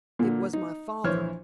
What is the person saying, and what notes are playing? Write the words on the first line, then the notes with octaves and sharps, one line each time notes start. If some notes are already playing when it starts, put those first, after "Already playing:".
It was my father.
A#2 D3 A#3
D#4
A#1 E3 E4 C5 C#5 F6